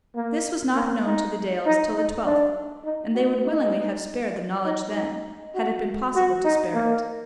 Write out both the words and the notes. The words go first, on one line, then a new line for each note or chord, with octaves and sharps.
This was not known to the Dales till the twelfth, and they would willingly have spared the knowledge then, had it been possible to spare it.
A#3
A#3
D#4
D#4
D#4
D4
D#4
F#4
D#4
D#4
D#4
F#4
F#4
D#4
A#3